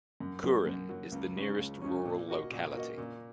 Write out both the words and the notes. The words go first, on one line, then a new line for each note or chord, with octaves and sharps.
Kurin is the nearest rural locality.
F#2
F#3 A#3
F#2
F#3 A#3
C#2
C#3 G#3 C#4
C#2
C#3 G#3 C#4
A#2
A#3 F#4 D#5
A#2
A#3 F#4 D#5
A#2